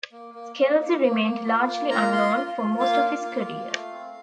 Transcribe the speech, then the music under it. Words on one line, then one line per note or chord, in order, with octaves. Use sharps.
Scelsi remained largely unknown for most of his career.
A#3
A#3
A#3
A#3
A#3
A#3
F4
A#3
F4 A#5
F4 C6
F4
F4
A#3 F5
F4
A#3
F4
A3
C4